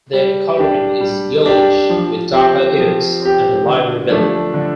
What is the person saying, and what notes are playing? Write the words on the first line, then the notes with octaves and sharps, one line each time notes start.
Their coloring is yellowish, with darker ears and a lighter belly.
G3
D4 G4
G3
D4 G4
F3
C4 G4
F3
C4 G4
D3
F3 A3 D4
D3